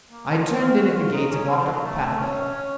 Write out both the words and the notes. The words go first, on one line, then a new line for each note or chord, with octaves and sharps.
I turned in at the gate, and walked up the pathway.
A#3
C4
C4
C#4
F4
F#4
F4
D#4
C#4
C4
F3
F#3
A3
C#4
C#4